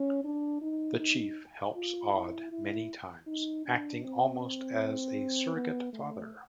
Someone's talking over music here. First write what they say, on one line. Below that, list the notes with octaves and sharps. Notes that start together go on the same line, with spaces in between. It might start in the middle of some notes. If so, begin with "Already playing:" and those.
The Chief helps Odd many times, acting almost as a surrogate father.
Already playing: C#4
D4
D#4
D#4
F4
E4
E4
D#4
D4
C4
C4
B3
A3